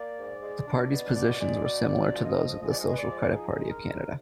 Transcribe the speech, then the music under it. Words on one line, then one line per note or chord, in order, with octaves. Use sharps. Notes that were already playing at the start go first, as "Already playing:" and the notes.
The party's positions were similar to those of the Social Credit Party of Canada.
Already playing: A#3 D5
G#2
G#3
D4
B2
B2 D5
G#3 D5
B2 D5
F#2 D5
F3
D#5
F3
G#3 D#5
D5
D#5
G#3
B4
D5
F3
D#4 G#4
G#3
A#4
D#2